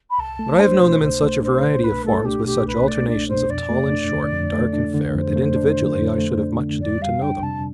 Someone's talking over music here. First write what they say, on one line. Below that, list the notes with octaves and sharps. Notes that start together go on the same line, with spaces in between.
But I have known them in such a variety of forms, with such alternations of tall and short, dark and fair, that, individually, I should have much ado to know them.
B5
C2 A5
A3
D4 C5
B2
C2 C5
A3
D4 C5
B2
C2 B4
A3 A4
D4 G4
B2 G4
C2 B4
A3 D5
D4 D5
B2 C5
F2 D5
A3
D4
D3
F2
A3
D4
D3
F2 C5
A3
D4
D3
F2
A3
D4
D3
F2 D5
G3 F5
D4 G5
C3 A5